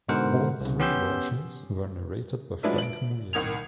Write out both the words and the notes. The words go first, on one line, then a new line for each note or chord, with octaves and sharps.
All three versions were narrated by Frank Muir.
G#2 B2 D3 A#4 C5 F#5
C2 C#3
B3 C#4 G4 C6 E6 G6
F3 F#3 G#3 D4 B4 E5
D7 F#7
C2 D#3 G#6 F7